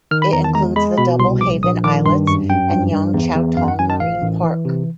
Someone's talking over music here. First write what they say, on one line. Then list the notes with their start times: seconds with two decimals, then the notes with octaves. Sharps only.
It includes the Double Haven islets and Yan Chau Tong Marine Park.
0.11 D#3 F6
0.22 B5
0.33 E2 A#5
0.44 A5
0.55 G#3 A#5
0.76 G#3 B5
0.98 B2 B5
1.19 C2 C6
1.41 A#1 D6
1.63 A#1 D#6
1.84 D#3 D6
2.06 G2 C6
2.27 F#2 C#6
2.49 F#2 G5
2.71 G2
2.92 G2
3.14 E2
3.35 E2
3.57 F#2 F5
3.68 F#5
3.79 F#2 G#5
3.90 A5
4.00 A1 F5
4.21 A1
4.44 E3
4.65 C3